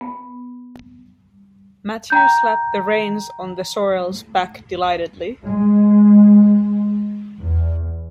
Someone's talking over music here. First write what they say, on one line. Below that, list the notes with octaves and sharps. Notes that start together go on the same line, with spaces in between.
Matthew slapped the reins on the sorrel’s back delightedly.
B3
G5 A#5 G6
G#3
E2